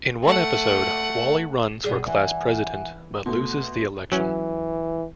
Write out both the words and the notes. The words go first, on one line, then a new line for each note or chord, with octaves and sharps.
In one episode, Wally runs for class president but loses the election.
A3 F#5
B2 G3 G#4
E3 E5 F#5 G#5
B2 A3 C6
E3 F#3 C#4